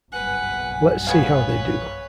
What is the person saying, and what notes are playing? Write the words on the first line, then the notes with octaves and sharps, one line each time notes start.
Let's see how they do.
F#1 B1 G2 B4 F#5 G#5
B3 G#4 B4 C#5 F5